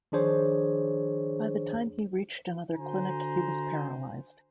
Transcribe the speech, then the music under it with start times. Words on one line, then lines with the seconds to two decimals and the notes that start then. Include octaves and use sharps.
By the time he reached another clinic, he was paralyzed.
0.12 D#3 F3 D4 G#4 C5 C#5
2.76 D3 F#4 C5 G#5 A#5